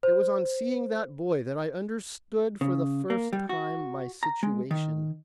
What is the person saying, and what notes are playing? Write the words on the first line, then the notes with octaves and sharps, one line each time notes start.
It was on seeing that boy that I understood, for the first time, my situation.
C5
C#3
A#3
G3
F#4
A#5
G#3
D#3